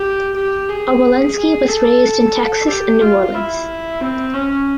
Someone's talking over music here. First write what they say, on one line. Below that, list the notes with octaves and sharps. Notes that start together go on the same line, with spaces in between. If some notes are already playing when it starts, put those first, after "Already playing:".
Obolensky was raised in Texas and New Orleans.
Already playing: G4
G4
G#4
G#4
A4
G4
F4
E4
C4
C#4